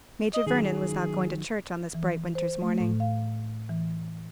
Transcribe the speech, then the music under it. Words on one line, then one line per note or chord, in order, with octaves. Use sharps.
Major Vernon was not going to church on this bright winter's morning.
D#5
D#3 F#3 G#4
G#4
E3
C5
A3
A2
F5
E3